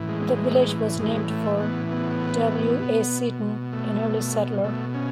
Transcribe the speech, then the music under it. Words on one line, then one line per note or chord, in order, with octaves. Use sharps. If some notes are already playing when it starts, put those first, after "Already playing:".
The village was named for W. A. Seaton, an early settler.
Already playing: A2 E3
G#3
A2 E3 G#3
A3
B3
B3
B2
A3
B2 A3
C#4